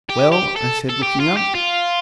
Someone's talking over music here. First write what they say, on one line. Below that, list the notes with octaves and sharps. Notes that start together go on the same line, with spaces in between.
"Well?" I said, looking up.
G4
G4
A4
A4
G4
F4
G4
F4